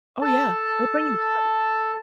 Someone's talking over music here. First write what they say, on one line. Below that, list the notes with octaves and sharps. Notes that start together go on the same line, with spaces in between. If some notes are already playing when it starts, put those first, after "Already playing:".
Oh, yeah. It'll bring you down.
A4 A5